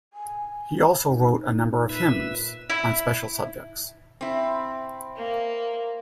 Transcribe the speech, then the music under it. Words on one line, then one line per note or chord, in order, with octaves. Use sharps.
He also wrote a number of hymns, on special subjects.
G#5
D#4
A#2 B4 E5
E4
C4 E4
A#3